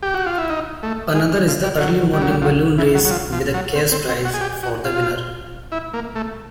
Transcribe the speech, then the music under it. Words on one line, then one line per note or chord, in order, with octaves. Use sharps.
Another is the early morning balloon race with a cash prize for the winner.
G4
F#4
F4
E4
D#4
A3
G#3
F3
G3
F#3
G3
F#3
G3
F3
F#3
E3
F#3
F#3
F3
F3
F#3
C4
C4
C4
F#4
G#4
G4
F#4
F4
E4
A#3
A3